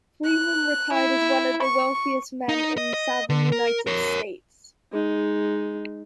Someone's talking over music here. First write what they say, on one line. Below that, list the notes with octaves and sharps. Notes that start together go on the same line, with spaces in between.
Freeman retired as one of the wealthiest men in the Southern United States.
F#6
E4
C#6
D#4
D#5
D#5
D3
A#4
A#4 C#5
G#3 D#4